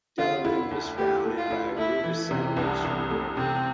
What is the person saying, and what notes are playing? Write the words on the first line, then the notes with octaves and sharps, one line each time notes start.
Delavan was founded by a group of settlers from New England.
D3 F4
E4
D2
A3 G4
A3
F4
E4
A3 E4
E3
C3
C2 D4
C2
A3
C3 C4